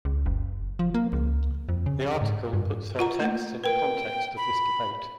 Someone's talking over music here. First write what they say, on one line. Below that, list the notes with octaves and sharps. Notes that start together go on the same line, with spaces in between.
The article puts her text in the context of this debate.
C#2
F#1
F3
A#3
C#2
F2
C#3
G#2
G2
F4 F#5 A#5
A3 A#3
A#4 B4 G5
B5